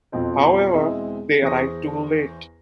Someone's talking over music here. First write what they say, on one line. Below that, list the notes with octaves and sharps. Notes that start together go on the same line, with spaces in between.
However, they arrive too late.
F2 B2 F3 C4 D#5
E1 G#3 C4 E4 D#5 E5
E2 C5 C#6 D#6 A#6